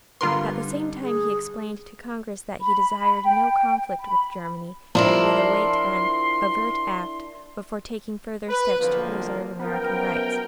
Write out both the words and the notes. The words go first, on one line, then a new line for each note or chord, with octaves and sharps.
At the same time he explained to Congress that he desired no conflict with Germany and would await an "overt act" before taking further steps to preserve American rights.
G2 D3 B3 F4 A#4 C6
D#4
G#4
B5
G5
B5
F3 D4 E4 A#4 C6
B4
B1 F2 D3 F3 A#3
F#2 F3 B3 A#4 G5